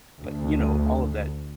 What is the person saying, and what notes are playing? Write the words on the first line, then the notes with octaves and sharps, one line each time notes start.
But, you know, all of that
D2